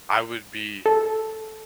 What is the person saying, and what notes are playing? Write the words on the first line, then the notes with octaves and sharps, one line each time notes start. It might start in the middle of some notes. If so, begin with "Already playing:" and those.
I would be
A4